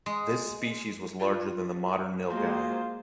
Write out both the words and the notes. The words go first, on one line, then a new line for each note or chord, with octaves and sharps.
This species was larger than the modern nilgai.
G#3
F4
G#3 A#3 F4 F#4 C5